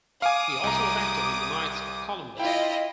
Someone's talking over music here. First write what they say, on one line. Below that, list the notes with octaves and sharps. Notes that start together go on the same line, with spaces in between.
He also was active in the Knights of Columbus.
F5 G#5 D6 D#6
C2 A#5
E4 F4 D#5 G5